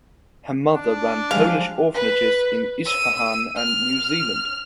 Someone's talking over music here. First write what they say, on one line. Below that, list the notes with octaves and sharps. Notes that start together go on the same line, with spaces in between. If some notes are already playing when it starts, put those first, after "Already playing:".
Her mother ran Polish orphanages in Isfahan and New Zealand.
D4
F3 G3 G#3 F5
B4
E6 D#7
F6